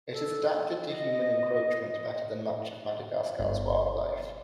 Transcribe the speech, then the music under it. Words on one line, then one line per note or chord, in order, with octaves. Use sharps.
It has adapted to human encroachment better than much of Madagascar's wildlife.
A4
D#5
G1